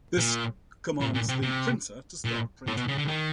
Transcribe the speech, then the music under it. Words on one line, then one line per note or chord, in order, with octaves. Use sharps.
This commands the printer to start printing.
A#2
A#2
A#2
C3
C3
A#2
A2
B2
C#3
D3
D#3